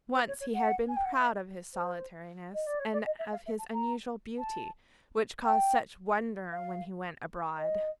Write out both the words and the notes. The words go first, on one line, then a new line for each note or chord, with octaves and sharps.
Once he had been proud of his solitariness and of his unusual beauty, which caused such wonder when he went abroad.
C5
C#5
C#5
F#5
G#5
G5
F#5
F5
E5
C5
D#5
D5
C#5
D5
D#5
E5
F5
E5
A5
A#5
A5
G5
F5
D#5